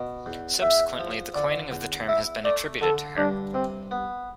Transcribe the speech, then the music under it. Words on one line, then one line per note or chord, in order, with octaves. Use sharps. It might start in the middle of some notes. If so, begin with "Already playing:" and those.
Subsequently, the coining of the term has been attributed to her.
Already playing: B2
E2
E2 E5
F3
D3 D5
E2
E4 E5
A3 D5
D3 A4
G2 D4
C3 C4
B3